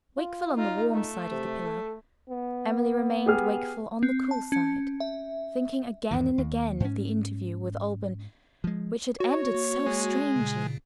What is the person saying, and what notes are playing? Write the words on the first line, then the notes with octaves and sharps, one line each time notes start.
Wakeful on the warm side of the pillow, Emily remained wakeful on the cool side--thinking again and again of the interview with Alban which had ended so strangely.
F4
D#4 F4 A#5
A3
C3
A4
B3
G4 G#4 F6
C4
A5
C#4
E5
E2 G#2 D#3
D#2
G#2 C#4
F3 G#3
F#4 C#5
A#3
G#3
A#2 C#3